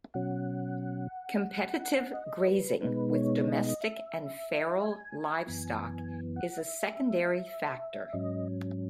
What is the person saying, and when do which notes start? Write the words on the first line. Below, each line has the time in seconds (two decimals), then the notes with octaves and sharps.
Competitive grazing with domestic and feral livestock is a secondary factor.
0.14 B2 F#3 C#4 F#5
2.14 D#5
2.47 B4
2.73 A4
2.81 B2 G#3 B3 D#4 B4
3.14 C#5
3.48 D#5
3.81 E5
4.81 G#5
5.47 F#2 E3 B3
6.36 F#5
6.58 E5
8.13 G#2 F#3 C#4 D#5